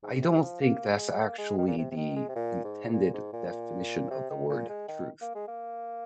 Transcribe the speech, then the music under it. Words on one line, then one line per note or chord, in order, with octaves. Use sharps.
I don't think that's actually the intended definition of the word "truth."
G#2
C3
F3
A#3
G#3
A#3
G#3
D#3
A#2
C3
C3
D#3
G#3
C3
A#2
G#2
A#2
G#2
A#2
C3
D#3
A#2
G#3
D#3
A#3
G#3
A#3